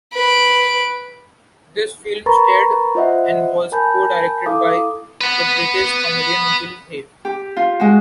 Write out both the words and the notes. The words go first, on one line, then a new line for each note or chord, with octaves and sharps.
This film starred, and was co-directed by, the British comedian Will Hay.
B4 D7
A#4 B4 A#5 B5 C#6 A6
F4 C5 D#5 E5 F#5
A#4 G#5 A5 B5 G6
E4 A4 F5 D6 D#6
B4 F#5
G4
F4
G#3 F#4